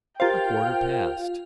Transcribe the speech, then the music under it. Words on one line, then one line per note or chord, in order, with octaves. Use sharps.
A quarter past.
F4 G4 A#4 C5 F5 G5